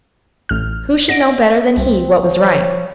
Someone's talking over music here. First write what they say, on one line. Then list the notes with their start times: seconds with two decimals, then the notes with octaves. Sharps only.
Who should know better than he what was right?
0.49 A1 F6
1.09 D#5 F#5 A#6 D7
1.77 C2 C4
2.23 F3 C#5